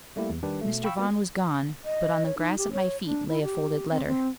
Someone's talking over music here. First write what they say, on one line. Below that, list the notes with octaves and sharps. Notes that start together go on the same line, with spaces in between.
Mr. Vaughan was gone; but on the grass at my feet lay a folded letter.
G3 A3 A#3 E4 G4
E2
D#3 G3 D4 G4 B4
B2 A3
F5 G5 B5 C#6 E6
A#3 B3 F#4
D#5
C#5
D#4
G4
C#5
D4
E4
G4
C4
C4